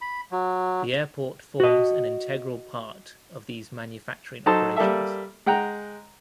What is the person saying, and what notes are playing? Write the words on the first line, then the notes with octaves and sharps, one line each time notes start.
The airport forms an integral part of these manufacturing operations.
B5
F#3
F#4 D#5
F#3 D#4 A4 C5 A5
G3 A#3 A4 E5
G#3 F#5 G5 A#5